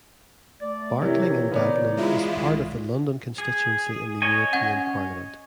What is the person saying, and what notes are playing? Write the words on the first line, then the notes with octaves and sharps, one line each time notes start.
Barkling and Dagenham is part of the London constituency in the European Parliament.
A3 D5
C3 E3 A#4 C#5
C#3 E3 B3 D#4 C#5 D5
G#3 E4 F4
C2 A#2 D#3
G#4
C#5 D#5 G#5
C#4 F#5 G#6